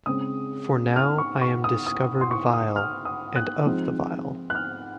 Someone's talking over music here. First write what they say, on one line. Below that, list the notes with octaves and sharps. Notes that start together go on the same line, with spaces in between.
For now I am discovered vile, and of the vile.
C#3 G#3 C4 D#6
F6
C#6
C#6
D#6
D#6
C6
C#6
D#6
F6
D#6
F#6
F3 G#3 C4 D#4
F#6
F6